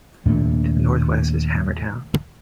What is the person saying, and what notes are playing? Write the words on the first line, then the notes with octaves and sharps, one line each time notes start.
To the northwest is Hammertown.
D#2 A#2 A3 D4